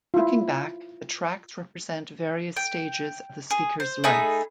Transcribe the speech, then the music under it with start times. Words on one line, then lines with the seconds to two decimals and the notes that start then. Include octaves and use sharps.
Looking back, the tracks represent various stages of the speaker's life.
0.14 E4 F4
2.56 G5
3.50 G#4
3.80 C5
4.04 A3 D#4 G#4 B5